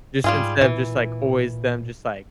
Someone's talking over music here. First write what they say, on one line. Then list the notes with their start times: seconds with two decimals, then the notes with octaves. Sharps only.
Just instead of just, like, always them just, like,
0.24 G#2 G3 F4 G#4
0.61 A#2 E3